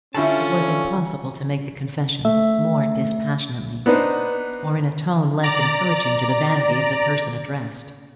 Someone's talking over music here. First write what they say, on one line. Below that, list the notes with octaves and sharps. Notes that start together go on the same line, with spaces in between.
It was impossible to make the confession more dispassionately, or in a tone less encouraging to the vanity of the person addressed.
D3 G3 C#4 E4 F4 A5
A3 E5
B3 D4 D#4 B4 C5
D5 A#5